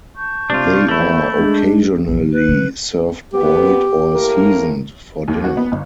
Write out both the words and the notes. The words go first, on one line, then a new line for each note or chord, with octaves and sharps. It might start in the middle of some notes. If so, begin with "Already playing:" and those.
They are occasionally served boiled or seasoned for dinner.
A5 C#6 G6
C3 D4 F4
E2 A3 E4
G#3 D4
A#1 F3
G#3
B4
D3 F#3
A#2 B3 G4
A2 A#3 A#4
D#2
F#4
B3
G1